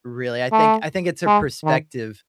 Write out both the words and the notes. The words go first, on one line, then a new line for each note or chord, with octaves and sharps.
really. I think I think it's a perspective
A3
G#3
D#3